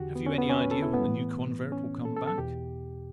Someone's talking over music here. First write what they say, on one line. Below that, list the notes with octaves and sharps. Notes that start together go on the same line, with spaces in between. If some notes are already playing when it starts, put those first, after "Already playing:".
Have you any idea when the new convert will come back?
Already playing: E2 D3 F#4 G4
B3
C#4
B3
C#4
B4
A4
E4
B3
A2 E3
C#4
A4
A4
A4
E2 B2 G4